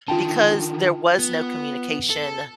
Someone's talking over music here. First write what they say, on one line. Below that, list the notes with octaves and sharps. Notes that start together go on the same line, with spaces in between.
because there was no communication
D3 D#3 F4 G5 A5
B3
A4